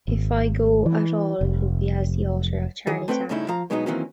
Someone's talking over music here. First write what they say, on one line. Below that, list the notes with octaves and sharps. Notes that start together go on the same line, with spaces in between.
If I go at all it will be as the author of Charley's Aunt.
G#1
E3
F1
D#3 E3 G#4
A3 C4 B4 C#5 F#5 G5
G2 C#3 A3 C#4 D#4 E4
F3 F5 A#5
B2 F#3 G#3 B3 C#4 D#4
D#3 E3 F#3 A#3 C4 C#4